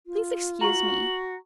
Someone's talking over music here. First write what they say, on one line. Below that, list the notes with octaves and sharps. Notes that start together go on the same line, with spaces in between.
Please excuse me.
F4
F#4 A#5 C#6 F#7